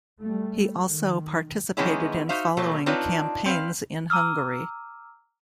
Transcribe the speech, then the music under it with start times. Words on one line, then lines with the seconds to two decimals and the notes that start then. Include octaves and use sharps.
He also participated in following campaigns in Hungary.
0.22 G3 A3
0.84 D#3
1.77 D#3 E3 G#3 B3 C#4 E4
2.29 D#4 F#4 C5 E5 F5
2.57 B2 F#3 G3 A3 A#3
2.86 C4 D4 D#4 F4 B4 C#5
3.46 C4 B4 F5
4.10 A#5 D6 E6 F6